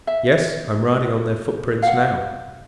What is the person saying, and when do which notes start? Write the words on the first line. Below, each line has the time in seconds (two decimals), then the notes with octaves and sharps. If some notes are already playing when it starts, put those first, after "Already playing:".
"Yes, I'm riding on their footprints now."
0.07 E5
1.82 F5 F#5